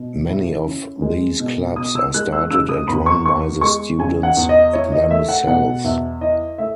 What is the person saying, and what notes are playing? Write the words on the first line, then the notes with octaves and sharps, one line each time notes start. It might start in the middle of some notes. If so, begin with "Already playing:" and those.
Many of these clubs are started and run by the students themselves.
Already playing: B2
E4
C#4
G#3
B2
B3 D#6
E6
G#3 F#6
E6
C#3 E6
D#6
E2 B5
C#6
B3 C#6
G#3 C#6
C#3 G#5
F#5
E2
D#5
E4 C#5
D#5
A3 E5
F#5
B2 F#5
E2 E5
E4 D#5
A3 E5